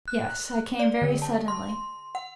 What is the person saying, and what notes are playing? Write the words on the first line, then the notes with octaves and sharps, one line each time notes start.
"Yes, I came very suddenly."
F#6
D5
D3
A5
C6
F#5